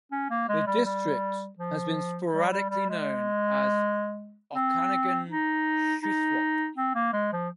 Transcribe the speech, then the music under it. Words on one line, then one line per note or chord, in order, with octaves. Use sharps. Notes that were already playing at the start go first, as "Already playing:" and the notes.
The district has been sporadically known as Okanagan-Shuswap.
C#4
A#3
G#3
G3
G3
F3
G3
G3
G3
G#3
C4
D#4
D#4
C4
A#3
G#3
F3